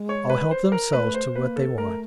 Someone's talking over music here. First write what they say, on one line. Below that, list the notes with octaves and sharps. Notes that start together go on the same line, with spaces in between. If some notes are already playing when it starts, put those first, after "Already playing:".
All help themselves to what they want.
Already playing: G#3
C#5
B4
C5
A#4
A3 B4
C5
A#3 B4
A4
A3 A#4